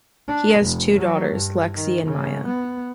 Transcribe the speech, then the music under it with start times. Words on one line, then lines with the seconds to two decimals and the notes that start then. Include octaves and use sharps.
He has two daughters, Lexi and Maya.
0.28 D4
0.61 F1
0.97 F#3
1.32 G2
1.75 D#3
2.05 C#3
2.46 B3